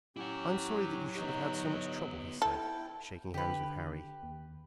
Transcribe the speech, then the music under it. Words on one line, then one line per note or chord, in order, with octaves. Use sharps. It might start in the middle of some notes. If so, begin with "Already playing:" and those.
"I am sorry that you should have had so much trouble," he said, shaking hands with Harry.
A2 F#3 C#4 E4 G4 F#5
B3 D#4 G4
E4 A4 G5
D3 G4 B4
D#2